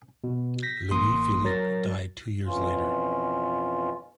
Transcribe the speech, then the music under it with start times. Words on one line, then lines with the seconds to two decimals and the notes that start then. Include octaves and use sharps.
Louis Philippe died two years later.
0.24 B2
0.63 G6 A#6 B6
0.91 A1 A#3 C6 D#6
1.45 F#3 A#4 A6 A#6
2.46 F2 B2 E3 C#4 F4